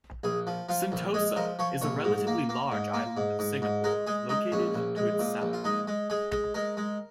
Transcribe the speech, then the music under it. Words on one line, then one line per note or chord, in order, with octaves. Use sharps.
Sentosa is a relatively large island of Singapore located to its south.
A#1 G#4
F3
F3 F4
A#1
G#3 G#4
F3 A#4
F3 C#5
A#1 C#5
G#2
A#3
A#3
G#2
A#3
G#2
G#2
G#2
G#3 A#4
G#3 G#4
G#3 D#4
A#1 C#4
A#1
G#3
A#2
A#1
F4
G#3 D#4
G#3
G#3 G#4
G#3
G#3 A#4
G#3